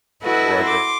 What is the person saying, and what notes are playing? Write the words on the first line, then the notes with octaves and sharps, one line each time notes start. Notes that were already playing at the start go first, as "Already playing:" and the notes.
Right, right.
E4 F#4 A4 B4 D#5
C6 D6